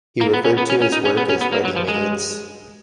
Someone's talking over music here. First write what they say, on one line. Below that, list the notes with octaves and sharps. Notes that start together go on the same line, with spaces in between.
He referred to his work as "Readymades".
A#3
B3
C#4
B3
C#4
C#4
D#4
C#4
B3
C#4
B3
A#3
F#3
F3
G#3